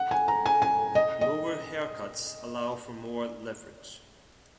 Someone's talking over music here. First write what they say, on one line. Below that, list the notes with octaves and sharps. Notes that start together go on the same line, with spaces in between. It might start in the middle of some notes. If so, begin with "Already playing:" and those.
Lower haircuts allow for more leverage.
Already playing: F#5
G#5
A#5
G#5
G#5
D#5
D#5